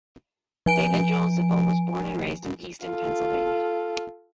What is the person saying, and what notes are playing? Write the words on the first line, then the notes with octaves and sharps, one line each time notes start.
David Joel Zippel was born and raised in Easton, Pennsylvania.
F3 G#5 D7
F4 A4